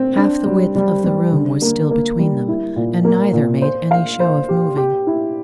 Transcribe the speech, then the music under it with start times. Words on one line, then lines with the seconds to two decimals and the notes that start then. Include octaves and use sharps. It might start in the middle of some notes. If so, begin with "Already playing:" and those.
Half the width of the room was still between them, and neither made any show of moving.
Already playing: C4
0.17 D4
0.46 G3
0.76 G3
1.04 G3
1.32 D3
1.62 A#3
1.91 A#3
2.19 G3
2.48 E4
2.76 A#2
3.05 A#3
3.33 A#2
3.62 C5
3.91 F5
4.20 C5
4.49 G4
4.77 G4
5.07 E4